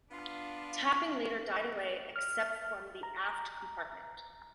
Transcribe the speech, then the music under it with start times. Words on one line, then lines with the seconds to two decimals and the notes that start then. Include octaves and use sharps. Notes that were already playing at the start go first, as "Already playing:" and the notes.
Tapping later died away except from the aft compartment.
0.11 B3 D4 F4
2.16 F6
3.03 A#5